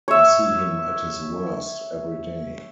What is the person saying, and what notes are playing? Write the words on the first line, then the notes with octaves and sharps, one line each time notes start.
I see him at his worst every day.
C#5 E5